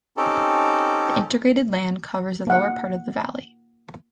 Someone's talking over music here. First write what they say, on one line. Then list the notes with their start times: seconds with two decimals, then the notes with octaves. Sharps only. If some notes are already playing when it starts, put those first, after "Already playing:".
The irrigated land covers the lower part of the valley.
0.17 C4 C#4 D#4 G4 A4
2.47 A#3 F#5